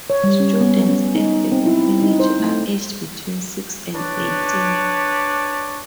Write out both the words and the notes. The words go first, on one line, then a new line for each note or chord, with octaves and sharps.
Students at the orphanage are aged between six and eighteen.
C#5
G3
C#4
B3
C#4
D#4
C4
E4
D#4
C5
A3
D4 B4 C#5 D5